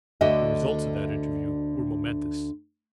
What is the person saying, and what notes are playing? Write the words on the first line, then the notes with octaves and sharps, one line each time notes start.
The results of that interview were momentous.
D2 D3 F#4 D#5 E5